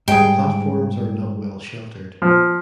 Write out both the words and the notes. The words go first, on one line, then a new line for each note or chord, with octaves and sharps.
The platforms are not well sheltered.
G#2 G3 G#4 G5
F3